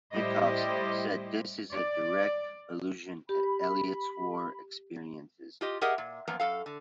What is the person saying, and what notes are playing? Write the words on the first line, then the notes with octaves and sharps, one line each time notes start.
Hickox said this is a direct allusion to Elliott's war experiences.
A2 G3 E4 G4 C5 D#5
D5
G4 B5
F4 G4 D#5
G4 G#4 A#4 D#5 E5 F#5
A#2
F#2 F3 A#3 B3
F#2 A4 F5
D3